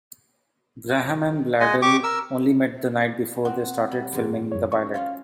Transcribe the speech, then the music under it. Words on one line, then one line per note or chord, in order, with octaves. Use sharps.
Graham and Bledel only met the night before they started filming the pilot.
G#3 D#5 F#5 G#5
G4 C#6 D6
A#4 E6
C4 F#4 F#5
G3
E2 G#2
F#2 C#5
F#2 C#6
C#4 F4 C#5 F5